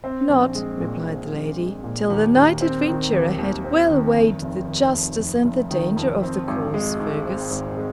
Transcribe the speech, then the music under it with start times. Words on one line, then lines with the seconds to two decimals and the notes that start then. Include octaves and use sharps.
'Not,' replied the lady, 'till the knight adventurer had well weighed the justice and the danger of the cause, Fergus.
0.04 C4
0.29 A#1
0.55 G#3
0.81 A#2
1.07 C4
1.32 A#1
1.58 G#3
1.84 A#2
2.10 D#2
2.35 D#2
2.61 C4
2.87 D#3
3.13 D#2
3.38 D#2
3.64 C4
3.90 D#3
4.16 F1
4.42 F1
4.67 D#3
4.93 F2
5.19 F1
5.45 F1
5.71 D#3
5.97 F2
6.22 C4
6.48 G#1
6.74 G#3
6.99 G#2
7.25 C4
7.50 G#1
7.77 G#3